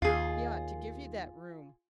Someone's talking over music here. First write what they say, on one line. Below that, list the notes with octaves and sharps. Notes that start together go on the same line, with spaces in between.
He ought to give you that room.
D#2 F4 G#4